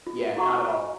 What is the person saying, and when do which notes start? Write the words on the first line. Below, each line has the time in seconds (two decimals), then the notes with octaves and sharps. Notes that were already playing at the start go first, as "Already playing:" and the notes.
Yeah, not at all.
0.07 F4
0.36 E4 F#4 G#4 F#5 A#5 C#6